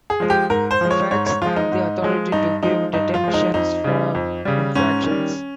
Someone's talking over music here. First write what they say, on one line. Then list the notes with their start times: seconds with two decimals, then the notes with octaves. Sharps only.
Prefects have the authority to give detentions for infractions.
0.10 G#4
0.20 F3 G#3
0.30 G4
0.50 G#2 A#4
0.71 C5
0.81 F3 G#3
0.91 C#5
1.11 G#2 C#5
1.26 C#5
1.42 F3 G#3 F4
1.56 D#4
1.72 G#2
2.02 F3 G#3
2.32 G2 D#4
2.63 F3 G#3 D#4
2.93 G2 D#4
3.14 F4
3.24 F3 G#3
3.34 D#4
3.54 F2 D#4
3.84 C#3 G3
4.15 F2
4.45 C#3 G3
4.75 G#2 C#4
5.06 D#3 G3